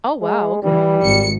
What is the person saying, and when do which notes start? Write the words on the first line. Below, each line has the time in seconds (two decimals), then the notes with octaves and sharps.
Oh, wow, okay.
0.22 G#3
0.63 E3 G3
1.03 G#1 C#7